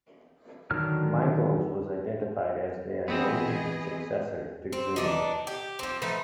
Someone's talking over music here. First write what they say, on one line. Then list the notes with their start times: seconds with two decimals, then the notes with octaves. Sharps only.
Michaels was identified as the anointed successor to Greene.
0.71 D3 D#3 F#3 F6
3.08 E3 B3 C4 G#4 D#5
4.73 C4
4.96 E3 D4 D#4
5.47 G4
5.79 F3 C4
6.02 F3 A3 D#4 B4